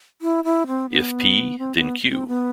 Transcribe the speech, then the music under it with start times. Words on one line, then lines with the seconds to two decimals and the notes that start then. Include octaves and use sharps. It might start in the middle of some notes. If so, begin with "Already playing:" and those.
If P then Q.
0.21 E4
0.44 E4
0.67 C4
0.90 B3
1.58 C4
1.76 B3
2.09 C4
2.27 B3